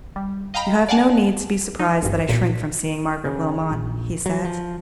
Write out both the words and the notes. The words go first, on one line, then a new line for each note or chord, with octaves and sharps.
"You have no need to be surprised that I shrink from seeing Margaret Wilmot," he said.
G3
D#5 F5 G5 A#5 B5
D5 F5 F#5 G#5 A5
D#4
G#1 D2 G2
B1 A#2 B6
C#3
A#1
F#3
F3